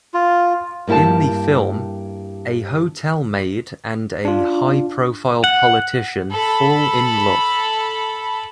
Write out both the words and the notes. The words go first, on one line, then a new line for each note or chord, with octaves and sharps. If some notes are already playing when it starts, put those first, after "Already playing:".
In the film, a hotel maid and a high profile politician fall in love.
F4
G2 A#3 E4 G4 A5
D4 F4
F#5
A4 B5